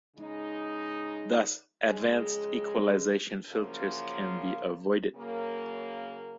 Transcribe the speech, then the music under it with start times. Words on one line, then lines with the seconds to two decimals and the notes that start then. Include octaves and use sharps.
Thus, advanced equalization filters can be avoided.
0.17 C#3 G#3 D#4
1.83 F2 C#3 G#3
3.50 F#2 C#3 F3 A#3 F4
5.16 C#3 F#3 A#3